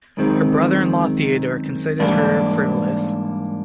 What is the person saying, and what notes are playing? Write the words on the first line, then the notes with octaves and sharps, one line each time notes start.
Her brother-in-law Theodore considered her frivolous.
F#2 D#3 G#3 C4
G#2 E3 G3 A#3 D4